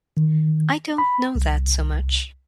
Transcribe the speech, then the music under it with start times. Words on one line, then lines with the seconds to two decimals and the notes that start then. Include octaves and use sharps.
I don't know that so much.
0.17 D#3
0.98 B5
1.35 C2